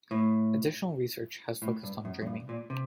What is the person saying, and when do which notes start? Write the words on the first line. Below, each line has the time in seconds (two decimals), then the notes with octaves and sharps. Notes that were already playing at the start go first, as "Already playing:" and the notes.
Additional research has focused on dreaming.
0.11 A2
1.62 A2
1.84 G2
2.05 F#2
2.22 F#2
2.26 G2
2.49 A#2
2.70 C3